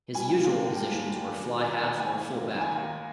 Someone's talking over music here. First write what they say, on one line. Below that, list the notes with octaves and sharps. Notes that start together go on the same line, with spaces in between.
His usual positions were fly-half or fullback.
G3 G#5
A#3 G5
D#2 F5
D3 G5
G3 G5
A#3
G3
A#3
D#2
D#3
D#3
D#2
A#3 G#5
A#3
D#2
D#3
D#3 G#5
D#2